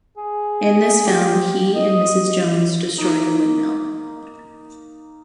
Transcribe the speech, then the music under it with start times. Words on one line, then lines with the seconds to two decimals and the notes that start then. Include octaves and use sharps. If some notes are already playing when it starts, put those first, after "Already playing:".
In this film, he and Mrs. Jones destroy the windmill.
0.17 G#4
1.06 G4
1.75 D#5
2.98 A#3 D#4